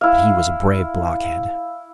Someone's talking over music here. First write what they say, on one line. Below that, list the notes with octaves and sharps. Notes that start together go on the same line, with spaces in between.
But he was a brave blockhead.
E4 F5